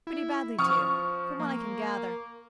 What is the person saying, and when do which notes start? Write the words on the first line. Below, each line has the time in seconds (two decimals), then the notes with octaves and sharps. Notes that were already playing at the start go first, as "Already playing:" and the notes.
'Pretty badly too, from what I can gather.
0.07 E4
0.59 F3 C#6 D#6 F6
1.39 A#3